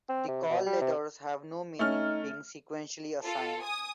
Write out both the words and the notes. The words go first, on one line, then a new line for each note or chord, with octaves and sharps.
The call letters have no meaning, being sequentially assigned.
C4
C3
B2
G3
C3
A3 C#4 D#4 F6
F4 A4
G#5 D#6